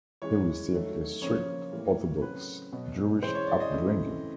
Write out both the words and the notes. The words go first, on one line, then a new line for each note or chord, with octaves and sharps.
He received a strict Orthodox Jewish upbringing.
E3 G#3 C#4 C#5
D#3 F#3 A3
C#3 F3 A#3 C#4 C#5
A2 E3 G3 A#3
C#3 F#3 A3 C4 B4
B2 F#3 B3
E3 G#3 C#4 C5
C#5
D5
D#5
C#3 E3 A3 C4